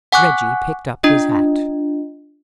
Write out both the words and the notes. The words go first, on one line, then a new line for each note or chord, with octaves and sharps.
Reggie picked up his hat.
F#5 G#5 C#6 D6 F#6
D4 F4 D#5